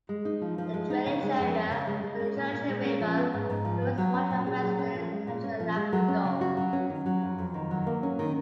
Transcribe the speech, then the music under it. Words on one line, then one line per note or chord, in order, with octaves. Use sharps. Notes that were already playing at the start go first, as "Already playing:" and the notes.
The drainage area for the Churchill River includes much of western and central Labrador.
G#3
D#4
F3
F3
G#3
D#4
C#3
G#3
F2
C#4
C#3
G#3
G#3
C#4
A#2
A#2
G#3
C#4
F3
B3
G#2
G#2
F3
B3
F#3
C#4
A#2
G#4
F#3
C#4
F3
G#3
A#2
C#4
F3
G#3
F#3
C#4
C#3
F#4
F#3
C#4
D#3
F#3
F2
F2
D#3
F#3
A#3
C#4
D#3